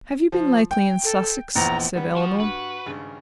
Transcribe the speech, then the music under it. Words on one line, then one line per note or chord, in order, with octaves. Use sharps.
"Have you been lately in Sussex?" said Elinor.
F3
G5
A4
A#1 E2 A#5
D3 G3 B3
F3 F#4
G2 B4
G#1 G2 C#3